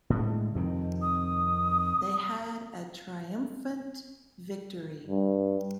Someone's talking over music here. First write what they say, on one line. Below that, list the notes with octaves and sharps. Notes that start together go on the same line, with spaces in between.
They had a triumphant victory.
A2 D3 G#3
F2 C3 D#3
D#6
G2